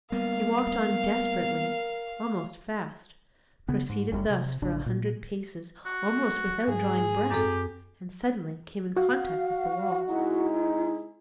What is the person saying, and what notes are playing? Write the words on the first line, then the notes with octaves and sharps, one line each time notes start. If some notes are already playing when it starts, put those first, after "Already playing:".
He walked on desperately, almost fast, proceeded thus for a hundred paces, almost without drawing breath, and suddenly came in contact with the wall.
G3 A#3 B3 A#4 F5
C#3 B3
G#2
G1 F#2 B2 G3
C3
A1 C#3 D4
A#2
F#4
G#2 G#4
F#2 C4 G4 A4
F#4 F5
C3 G#3 D#4 E4